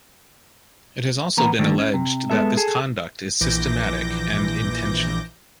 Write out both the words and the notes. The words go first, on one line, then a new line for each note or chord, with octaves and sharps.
It has also been alleged that this conduct is systematic and intentional.
E2 A#3 B3 A#5
D3 D#3 F3 A3 D4
C#4
C3
G#3 B3 A4 E5
G#4 A4
A#1 E3 D6 G6 A#6